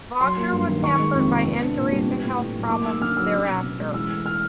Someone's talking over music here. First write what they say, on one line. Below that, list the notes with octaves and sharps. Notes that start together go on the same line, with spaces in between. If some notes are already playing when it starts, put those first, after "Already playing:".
Wagner was hampered by injuries and health problems thereafter.
F#3 C6
A#3
G2
D#3
D#3 C#6
G#3
F2
C3
B3
D4
A#2
G3
B3
A2
A2
F#3
A#3 D6
D#4 E6
D3 F6
F#3 E6
C#4
B2
B2
G#3
E3 E6
A3
F6